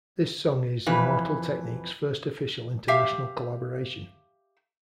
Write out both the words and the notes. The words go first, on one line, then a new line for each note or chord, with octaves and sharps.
This song is Immortal Technique's first official international collaboration.
F2 E3 B4
G4 E5 F5